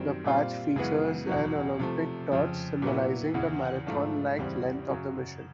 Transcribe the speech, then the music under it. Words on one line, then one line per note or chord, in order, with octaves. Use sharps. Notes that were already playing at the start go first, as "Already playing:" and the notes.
The patch features an Olympic torch, symbolizing the marathon-like length of the mission.
Already playing: F#2 D#3 G3 C4
A#2 G3 C4 F4
F#2 C#3 E3 G#3 B3
E2 B2 F#3
C3 F3 A3
F2 C#3 F3
A#2 F#3 B3 E4
E2 C#3 E3
G#2 F3 A3 D4 F4
E2 C#3 E3 G3 C4
F#2 C#3 F#3